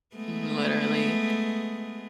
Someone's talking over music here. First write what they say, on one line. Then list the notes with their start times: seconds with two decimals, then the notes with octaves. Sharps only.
Mm, literally.
0.16 G#3 A3 B3